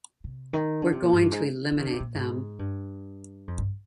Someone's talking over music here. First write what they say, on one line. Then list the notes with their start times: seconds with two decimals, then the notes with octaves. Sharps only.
We're going to eliminate them.
0.24 C3
0.53 D#3
0.82 D3
0.92 C3
1.02 A#2
1.12 G#2
1.22 G2
1.32 G#2
1.72 F3
1.79 D#3
1.87 D3
1.93 C3
2.00 A#2
2.15 G#2
2.59 G2
3.48 F2
3.58 G2